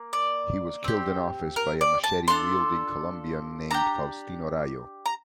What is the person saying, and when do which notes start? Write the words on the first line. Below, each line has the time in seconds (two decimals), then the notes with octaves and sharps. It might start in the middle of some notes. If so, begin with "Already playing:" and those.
He was killed in office by a machete-wielding Colombian named Faustino Rayo.
Already playing: A#3
0.13 D5
0.84 C4 G4
1.56 A#4
1.81 D5
2.04 A5
2.28 D4 F4 A4 C6
3.71 D4 G4 A#5
5.06 A#5